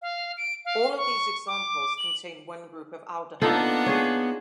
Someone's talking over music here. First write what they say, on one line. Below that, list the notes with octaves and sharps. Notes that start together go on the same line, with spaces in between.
All of these examples contain one group of aldehyde.
F5
D7
F5
C#6
D6
F#7
A#3 B3 D4 D#4 F4 A4 F#5
G#4 C#5